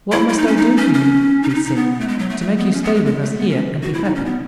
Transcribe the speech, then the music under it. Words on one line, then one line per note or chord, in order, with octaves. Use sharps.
"What must I do for you," he said, "to make you stay with us here and be happy?"
E4
E4
D#4
C#4
D#4
C#4
C#4
D#4
C#4
D#4
D#4
B3
A3
G#3
F#3
A3
A3
B3
C#4
B3
G#3
G#3
A3
B3
C#4
F#4
E4
D#4
C#4
B3